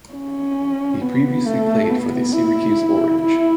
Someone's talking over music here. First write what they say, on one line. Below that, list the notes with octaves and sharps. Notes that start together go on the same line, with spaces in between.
He previously played for the Syracuse Orange.
C#4
B3
A3
B3
E4
E4